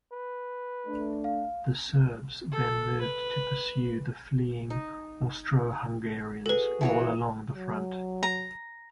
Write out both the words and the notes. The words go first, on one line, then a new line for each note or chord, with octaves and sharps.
The Serbs then moved to pursue the fleeing Austro-Hungarians all along the front.
B4
A3 D4
F5
A4
B4
D#4
F#4 G#4 A4 B4
E3 F#4 C#5
F#3
A#5